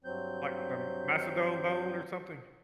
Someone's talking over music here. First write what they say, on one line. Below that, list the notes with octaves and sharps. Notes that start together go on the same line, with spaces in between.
Like, the mastodon bone or something?
G2 F#3 C4 G6